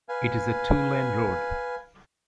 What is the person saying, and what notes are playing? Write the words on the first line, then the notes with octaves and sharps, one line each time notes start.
It is a two-lane road.
B4 F5 G#5